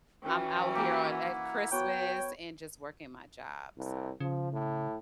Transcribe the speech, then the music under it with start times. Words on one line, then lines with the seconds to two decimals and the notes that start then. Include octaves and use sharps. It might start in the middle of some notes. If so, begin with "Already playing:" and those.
I'm out here on at Christmas and just working my job, so
0.24 E3 C#4 F#4 G5
0.75 A#3 G4
1.10 E4 F#5
1.71 B3 F#4 C#5 G5
3.77 C2
4.20 C#3 F3
4.53 A2